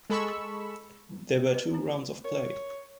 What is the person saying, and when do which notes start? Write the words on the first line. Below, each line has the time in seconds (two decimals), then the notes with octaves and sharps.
There were two rounds of play.
0.10 G#3 A4 B5 C#6 E6
1.54 B4 D#5
1.74 C4 E4
2.24 A#4 C#5